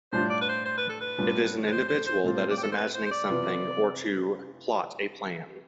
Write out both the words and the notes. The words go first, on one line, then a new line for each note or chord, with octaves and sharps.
It is an individual that is imagining something or to plot a plan.
A2 G3 D4 F4 C5
D5
B4
C5
C5
B4
A4
B4
A2 G3 B3 D4 F4
B4
C5
C5
C5
A2 G3 C4 F4
C5
D5
G4
A4
C5
B4
C5
C5
D5
C3 E3 B3 F4